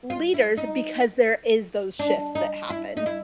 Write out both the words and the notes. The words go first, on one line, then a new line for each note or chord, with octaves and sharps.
leaders because there is those shifts that happen.
F4
E4
D#4
D4
D#4
E4
D#4
E4